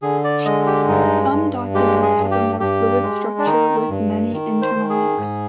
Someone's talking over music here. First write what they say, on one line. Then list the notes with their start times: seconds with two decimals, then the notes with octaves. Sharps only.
Some documents have a more fluid structure with many internal links.
0.02 D3 G#4
0.24 D5
0.45 G#3 D#5
0.66 G4
0.88 G2 D#4
1.31 G2
1.75 G#3 G4
2.02 G#4
2.18 G2
2.31 G4
2.60 G2 G4
3.03 G#3
3.38 D4
3.46 D#3 D#4
3.89 G2
4.33 D#3
4.62 C5
4.75 D#3
4.90 G#4
5.18 G#2